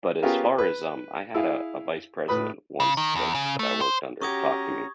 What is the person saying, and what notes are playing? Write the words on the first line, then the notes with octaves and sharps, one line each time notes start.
But as far as, um I had a a vice president once that that I worked under talked to me,
B3 C#4 F4 G4 G#4 A#4
B4
E4 G#4 F5
A2 B4 B5 D#6
C#3
D#3
E2
C#3
A3
C5
C#4 F#4 G4 A#5 C#6 D#6 G#6